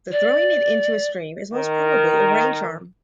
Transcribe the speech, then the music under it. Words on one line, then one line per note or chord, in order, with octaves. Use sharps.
The throwing it into a stream is most probably a rain-charm.
D5
D#3 A#4